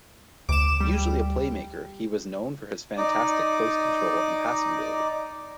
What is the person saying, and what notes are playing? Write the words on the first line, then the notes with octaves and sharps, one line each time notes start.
Usually a playmaker, he was known for his fantastic close control and passing ability.
D2 D6 E7
G3
D#4 D5